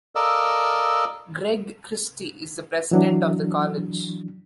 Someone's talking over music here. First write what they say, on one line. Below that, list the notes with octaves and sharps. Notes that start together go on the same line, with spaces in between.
Greg Christy is the President of the college.
A4 A#4 D5 D#5 F5 E6
E3 F#3 D4